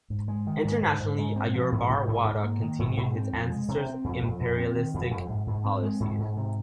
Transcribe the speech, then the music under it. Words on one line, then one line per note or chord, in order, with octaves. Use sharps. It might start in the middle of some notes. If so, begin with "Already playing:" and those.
Internationally, Ayurbarwada continued his ancestors' imperialistic policies.
G#2
G#3
D#3
G#2
G#2
G#2
G#2
C4
F3
G#2
G#2
G#2
G#2
A#3
D#3
G#2
G#2
C4
F2
G#3
C3
C4
F2
F2
F2
C4
D#3
F2
F2
G#2
G#2
C4
G#3
G#2
G#2
C3